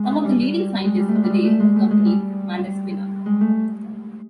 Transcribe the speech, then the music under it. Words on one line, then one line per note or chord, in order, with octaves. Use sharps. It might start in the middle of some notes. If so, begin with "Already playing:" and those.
Some of the leading scientists of the day accompanied Malaspina.
Already playing: G#3
G3
G#3
G3
A3
G#3
G3
G#3
A3
G#3
A3
G#3
G3
G#3
A3